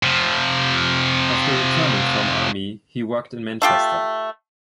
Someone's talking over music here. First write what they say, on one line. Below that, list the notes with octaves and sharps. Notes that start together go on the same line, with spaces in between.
After returning from army he worked in Manchester.
C3 F3
A3 F4 G4